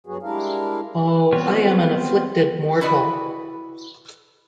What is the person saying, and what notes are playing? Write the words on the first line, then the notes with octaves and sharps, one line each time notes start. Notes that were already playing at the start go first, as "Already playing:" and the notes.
Oh, I am an afflicted mortal.
G2 F#3 B3 F#4 G#4
G3 G#3 D4 E4 A#4 F5
G3 B3 C4 F4 C#5
E4 F#4 B4 D5 D#5